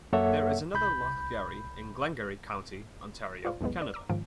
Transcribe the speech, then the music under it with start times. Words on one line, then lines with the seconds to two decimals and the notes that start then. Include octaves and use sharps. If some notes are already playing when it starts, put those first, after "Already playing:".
There is another Loch Garry in Glengarry County, Ontario, Canada.
0.13 F#2 A#3 A4 C#5 E5 F#5
0.74 C2 B5 G6
3.45 F4 C5 D5 F5
3.61 B1 E2 A2 G#3 B3
3.82 D5
3.94 A#5 D6 E6
4.09 G#2 D#3 F3 C#4 F5 D7